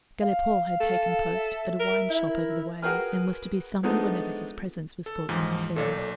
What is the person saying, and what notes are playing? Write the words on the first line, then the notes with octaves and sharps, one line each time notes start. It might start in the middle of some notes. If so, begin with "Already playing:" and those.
Galipaud had taken post at a wine-shop over the way, and was to be summoned whenever his presence was thought necessary.
F5
A4
E5
A#4
E4
A#4
F#4 G#4 A#4 B4 G5 F6
F3 G#3 A3 B3 D4 D#4
A4
D#2 G#2 E3 F3
B1 A#2 A4 C#5 D5